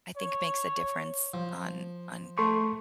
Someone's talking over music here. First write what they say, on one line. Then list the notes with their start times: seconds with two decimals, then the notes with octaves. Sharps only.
I think, makes a difference on on
0.17 C#5
1.34 F3
2.38 A3 A4 C6 C#6